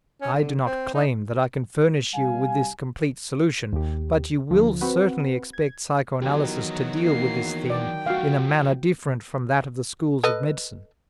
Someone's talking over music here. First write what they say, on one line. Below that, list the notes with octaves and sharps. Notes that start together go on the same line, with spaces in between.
I do not claim that I can furnish you with this complete solution, but you will certainly expect psychoanalysis to deal with this theme in a manner different from that of the schools of medicine.
C#4
D3
C4
D#4
C3 G3 G4 F5 G#5
D#2 G4
D2 F3
C4 F#4 B4 F#5
G#6
D#3 E3 F#3 B3 G4
A#3 C7
D5 G5
F3 A3 F#4 F5
A4 B4 D#5